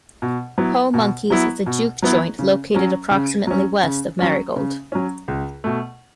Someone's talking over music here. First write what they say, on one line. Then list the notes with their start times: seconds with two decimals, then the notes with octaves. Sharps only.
Po' Monkey's is a juke joint located approximately west of Merigold.
0.22 B2
0.58 F#3 B3 E4
0.94 B2
1.30 F#3 B3 E4
1.66 B2
2.02 F#3 B3 E4
2.39 C#3
2.75 F#3 C#4
3.11 C#3
3.47 F#3 C#4
3.83 C#3
4.19 F#3 C#4
4.56 C#3
4.92 F#3 C#4
5.28 C#2
5.64 B2 A3